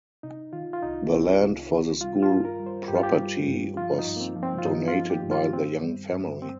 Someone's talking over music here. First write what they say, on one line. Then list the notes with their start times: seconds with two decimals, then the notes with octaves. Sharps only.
The land for the school property was donated by the Young family.
0.23 C3 D#4
0.53 D#3 F4
0.73 F4
0.82 C2 D#4
1.12 C2 C4
1.41 C3
1.71 D#3
2.01 G3 F4
2.23 F4
2.29 G2
2.45 A#4
2.60 G3
2.66 C5
2.88 G2 G4
2.95 F4
3.03 G4
3.18 G3
3.48 G2
3.77 F3 F4
3.99 D#4
4.07 G2
4.17 A#3
4.21 C4
4.36 F3
4.43 C4
4.58 F4
4.65 G2 D#4
4.88 F4
4.95 F3
5.10 G4
5.24 G2
5.31 F4
5.53 D#3 C4
5.83 G3
6.13 G2
6.42 C4